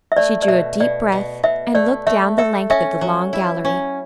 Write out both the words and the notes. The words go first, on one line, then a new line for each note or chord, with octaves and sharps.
She drew a deep breath and looked down the length of the long gallery.
E5
A3 D5
D5
B2 E5
B2 D5
B2
B2 E5
A3 D5
A3 E5
A4 E5
C#4 E5
F#3
E4
C#4